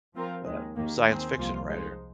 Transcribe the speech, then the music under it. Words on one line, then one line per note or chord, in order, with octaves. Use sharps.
the science fiction writer,
F3 C4 F4 A#4
D#2 D#3 G#3
D#2 D#3 A#3
D#3 C4 G#4 C5
C2 C3 F3 A#3 F4
F3 G#3 D#4 C5